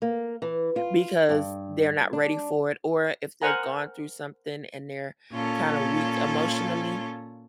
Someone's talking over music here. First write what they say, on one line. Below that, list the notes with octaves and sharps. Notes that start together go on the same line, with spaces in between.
because they're not ready for it, or if they've gone through something, and they're kinda weak emotionally,
A#3
E3
F4
G2
D4
A#4 C5 F#5 G#5 A#5
A#2 C#4 F4 A4